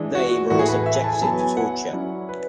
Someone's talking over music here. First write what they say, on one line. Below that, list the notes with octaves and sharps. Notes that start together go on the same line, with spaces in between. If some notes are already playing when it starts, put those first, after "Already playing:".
They were all subjected to torture.
Already playing: E3 G#3 D4
F#4
A2 E3 A3 F#4
G#4
B4
E5
G#5
A5
G#5
F#3 B3 E4 A5
G#5
F#5
F#3 C#4 E4 D5
B4